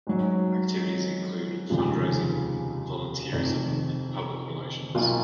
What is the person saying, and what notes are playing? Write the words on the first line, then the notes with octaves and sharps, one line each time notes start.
Activities include fund-raising, volunteerism, and public relations.
G#2 F#3 C#4
F1 D#2 C#3 F3 G#3
F1 F2 D#3
B1 B2 A#3 F4